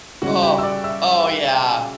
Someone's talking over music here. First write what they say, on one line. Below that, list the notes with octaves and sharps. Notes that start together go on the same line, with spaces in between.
Oh! Oh, yeah.
C#3 G3 C#4 E4 F#4 F#5
G4 G5
E6
D5 D6
E5 E6